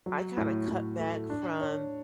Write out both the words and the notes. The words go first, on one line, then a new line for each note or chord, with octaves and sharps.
I kinda cut back from
F#3
A2
A2
A3
D4
C#5